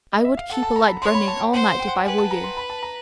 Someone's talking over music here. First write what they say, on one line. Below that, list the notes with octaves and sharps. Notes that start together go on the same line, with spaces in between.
I would keep a light burning all night if I were you.
D#5
E5
F5
A4 F#5
A5
A#5
B5
C#5 C6
B5
A5
G5
C5 F#5
G5
F#5
G5
B4 G#5
A5
A#5
C6
B5
A5
A#5